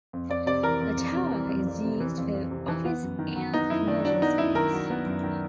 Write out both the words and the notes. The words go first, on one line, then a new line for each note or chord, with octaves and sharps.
The tower is used for office and commercial space.
F2
F2 D5
C3 D5
E3 A#4
F2
F2
C3
E3
F2
F2
C3
E3
F2
F2
C3
E3
B3
F#2
D#3
F#3
B3 D#4
F#2 E4
D#3 D4
F#3 D4
B3 D#4
F#2 E4
D#3 A#4
F#3
B3
F#2
D#3